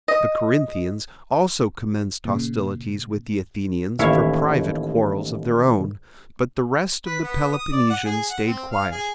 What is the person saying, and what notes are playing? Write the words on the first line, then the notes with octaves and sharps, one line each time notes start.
The Corinthians also commenced hostilities with the Athenians for private quarrels of their own; but the rest of the Peloponnesians stayed quiet.
D#5
A#2 C#3
A1 D#2 E4 C#5 E5 F5
B4
B3
D#6
D5
F#5
G#4
F#5
C4
F5
G#4